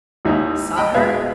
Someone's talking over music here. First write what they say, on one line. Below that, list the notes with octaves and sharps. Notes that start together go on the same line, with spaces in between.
"Saw her?"
G#1 D#2 D#4 E4 E5
D#5 G5 B5
B2 G#3 B4 E5 F5